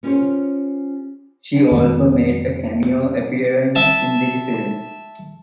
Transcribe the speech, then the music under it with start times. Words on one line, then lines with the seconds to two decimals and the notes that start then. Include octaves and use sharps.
She also made a cameo appearance in this film.
0.03 B3 C#4 F4 G4 C5 C#5
1.71 F2 D#3 G#3 A3
3.75 E5 A5